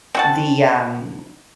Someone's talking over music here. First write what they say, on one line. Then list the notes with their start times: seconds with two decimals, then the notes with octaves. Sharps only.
the, um
0.15 C4 F#4 A5